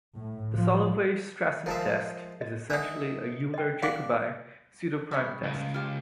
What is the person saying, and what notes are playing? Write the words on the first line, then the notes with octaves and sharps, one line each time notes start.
The Solovay-Strassen test is essentially a Euler-Jacobi pseudoprime test.
A2
F3
F3 G#3 A#4 E5 F5 A5
D#5
D4 D#4 E5 F#5
D#5 G5
D4 F5 F#5 D6
G3 G#3 C#4
C#2
F4 G4